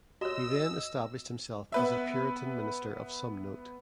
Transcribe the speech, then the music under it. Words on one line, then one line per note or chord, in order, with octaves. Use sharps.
He then established himself as a Puritan Minister of some note.
F#4 C#5 D#5 E6
B3 B4 E5